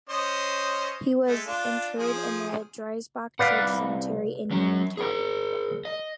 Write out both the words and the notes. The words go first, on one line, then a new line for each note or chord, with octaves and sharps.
He was interred in the Driesbach Church Cemetery in Union County.
C#4 C5 D#5
G#3 A3
D4 F4
F3 G#4
C2 B4 D5 F5 F#5
F#3 C#4
G#4 A#4
D#5